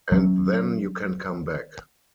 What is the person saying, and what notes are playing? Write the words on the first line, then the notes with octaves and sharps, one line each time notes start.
And then you can come back.
F#3 C#4